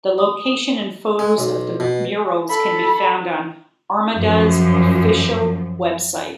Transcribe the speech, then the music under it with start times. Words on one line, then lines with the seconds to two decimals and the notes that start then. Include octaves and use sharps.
The location and photos of murals can be found on Armada's official website.
0.18 D#6
1.19 G#3
1.38 B1
1.80 B2
2.49 A4 B5
4.17 F#2 F3